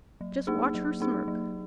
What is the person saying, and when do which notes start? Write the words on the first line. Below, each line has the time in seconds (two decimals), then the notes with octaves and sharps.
Just watch her smirk!
0.21 F#3
0.47 A#3 D#4 G#4
0.75 F#3
1.00 A#3 D#4 G#4
1.28 F#3